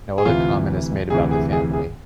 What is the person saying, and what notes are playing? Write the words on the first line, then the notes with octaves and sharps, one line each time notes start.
No other comment is made about the family.
G#4
D2 C3 E3 F4
D2 C3 E3 G#4
G#4
G#4
G#4